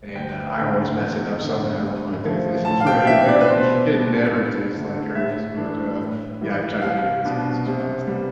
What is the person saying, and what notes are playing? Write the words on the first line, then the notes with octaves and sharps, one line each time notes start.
And, uh, I always mess it up somehow, but but it never it never tastes like hers. But, uh, yeah, I tried to get it as close as possible.
D2 G5
D3 A3 C4
E2
D3 A3
G2
F3 A3
A2 A5
F5
G5
E3 B3 D4 E5
D5
B4
B2 C5
G3 D4
G2
D3 A3 D4
A2 E5
E3 A3 D4
A2
E3 G3
C2 F5
B2 B3 D4
C3
G3 B3